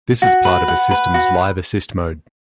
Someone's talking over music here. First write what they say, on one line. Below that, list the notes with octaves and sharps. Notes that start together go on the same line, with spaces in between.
This is part of a system's live-assist mode.
F#4
B4
F#5
B4
F#4